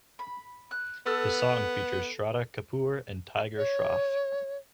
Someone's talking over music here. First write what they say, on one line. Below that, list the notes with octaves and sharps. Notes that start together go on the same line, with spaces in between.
The song features Shraddha Kapoor and Tiger Shroff.
B5
F#6
B3 A4 E6 F6
C#5